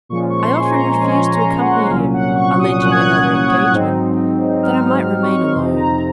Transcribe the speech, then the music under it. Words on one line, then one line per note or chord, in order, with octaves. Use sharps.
I often refused to accompany him, alleging another engagement, that I might remain alone.
A#2 F3 G#3 C#4 C#6
C#6
C6
G#5
A#5
A#2 F3 G#3 C#4 G#5
A#5
F#5
C2 A#2 F#3 C#4 F5
F#5
C#6
D#6
C2 A#2 F#3 C#4 F#6
G#6
F#6
G#2 F#3 C4 D#4
G#2 F#3 C4 D#4 F6
C#6
F2 C3 F3 C4 D#4 C6
A#5